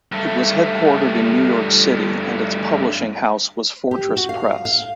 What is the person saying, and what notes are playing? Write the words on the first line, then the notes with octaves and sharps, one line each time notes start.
It was headquartered in New York City and its publishing house was Fortress Press.
G2 A3
G4
F#4
F5
F5